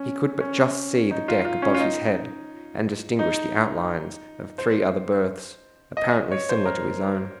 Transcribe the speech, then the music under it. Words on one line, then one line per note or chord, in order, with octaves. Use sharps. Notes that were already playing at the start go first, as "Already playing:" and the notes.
He could but just see the deck above his head, and distinguish the outlines of three other berths, apparently similar to his own.
Already playing: C#4
C#4
D#4
F4
F4
C#4
F4
D#4
D#4
C5
D#5
D#5
C#5
C5
A#4